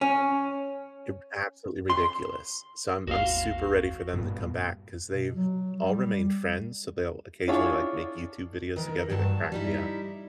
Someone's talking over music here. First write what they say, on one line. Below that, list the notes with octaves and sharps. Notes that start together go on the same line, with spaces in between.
ew absolutely ridiculous. So, I'm I'm super ready for them to come back, 'cause they've all remained friends, so they'll occasionally, like, make YouTube videos together that crack me up.
C#4
C6
G#1 D#2 F#4 F5
G2 A#2 B3
B2
F#3
G3
C#4 D4 E4 F4 G#4 C#5
D#3 E3 A#4
G2 D#3 F#3 A5
G3 D#4 E4